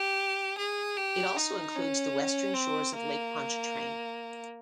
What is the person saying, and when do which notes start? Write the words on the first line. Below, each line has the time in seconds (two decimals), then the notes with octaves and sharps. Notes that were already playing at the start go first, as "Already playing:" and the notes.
It also includes the western shores of Lake Pontchartrain.
Already playing: G4
0.58 G#4
0.97 G4
1.36 D#4
1.75 C#4
2.54 C4
2.93 A#3